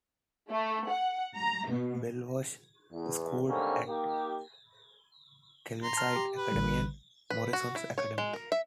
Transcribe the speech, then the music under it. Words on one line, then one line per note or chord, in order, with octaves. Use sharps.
Bell was schooled at Kelvinside Academy and Morrison's Academy.
A3
F#5
A#5
B2
E2
G#2 D3 G3 A#3 C4 C#4
A#3 D#4 G4
A#5 C6
A5 F6
G4
B4
A1 D3 G3
B4
F#4
E4
C#5
G#3
A#4
E5